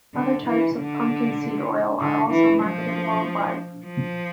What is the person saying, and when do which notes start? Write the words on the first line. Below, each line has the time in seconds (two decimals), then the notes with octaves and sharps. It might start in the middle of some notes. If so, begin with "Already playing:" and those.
Other types of pumpkin seed oil are also marketed worldwide.
0.14 D3
0.45 E3
0.76 D3
1.99 D3
2.31 E3
2.62 F3
3.85 F3